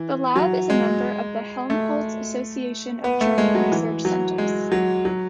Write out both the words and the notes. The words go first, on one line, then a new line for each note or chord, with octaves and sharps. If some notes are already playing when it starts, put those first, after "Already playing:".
The lab is a member of the Helmholtz Association of German Research Centres.
Already playing: E3
F#3
G#3
A3
B3
A3
G#3
F#3
E3
F#3
G#3
F#3
F#3